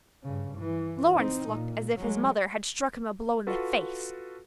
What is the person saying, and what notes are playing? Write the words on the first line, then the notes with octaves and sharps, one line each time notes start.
Lawrence looked as if his mother had struck him a blow in the face.
G2 C#3
E3
C4 D#4
A#2
F#3 G#3
F4 F#4 A4 B4